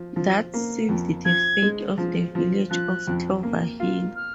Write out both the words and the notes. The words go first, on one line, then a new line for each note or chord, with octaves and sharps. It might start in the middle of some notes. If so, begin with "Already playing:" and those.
That sealed the fate of the village of Clover Hill.
Already playing: F3
F3
A#3
F2
F3 G#6
G#3
F3
F3
F3 F#6
F2
A#3
F4
F6